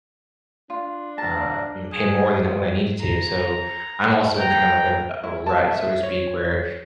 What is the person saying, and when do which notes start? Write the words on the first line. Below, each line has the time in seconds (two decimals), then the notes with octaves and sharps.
uh, you know, pay more than what I needed to so, I'm also in kind of like a a rut, so to speak, where,
0.70 D4 F4
1.18 A5 A#5
1.92 G#4
3.01 A#5
4.36 G5 A#5
5.23 E4
5.46 A5
5.71 E5
6.03 C#5